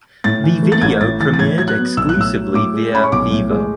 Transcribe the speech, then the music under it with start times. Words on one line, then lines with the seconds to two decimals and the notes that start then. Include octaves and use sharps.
The video premiered exclusively via Vevo.
0.24 A2 A6
0.44 E3
0.63 A3
0.72 A6
0.82 A1 G#6
1.01 A2 A6
1.20 E3 A6
1.33 A6
1.39 A2 G#6
1.58 F#3 G#6
1.68 F#6
1.78 B3
1.97 B1 E6
2.09 F#6
2.16 A2 E6
2.36 F#3
2.54 A2 D6
2.74 G#3
2.93 C#4 B5
3.04 C#6
3.12 B1 D6
3.31 A2
3.50 G#3